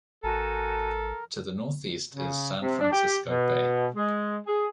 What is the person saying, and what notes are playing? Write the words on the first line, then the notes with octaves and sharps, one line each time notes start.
To the northeast is San Francisco Bay.
A1 F#4 A4 A#4 G#5 A5
C#3
C3
D4
G4
B2
G#3
G#4